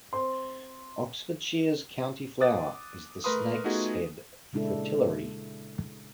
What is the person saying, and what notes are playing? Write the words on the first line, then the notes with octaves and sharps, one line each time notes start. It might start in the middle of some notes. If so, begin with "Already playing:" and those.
Oxfordshire's county flower is the snake's-head fritillary.
C4 C6
D6 D#6 F#6 A6
A3 A#4 B4 B5 C6 D#6
A3 B3 D#4 F4 F#4 G#4
A#2 C#3 G#3 D4 E4 A4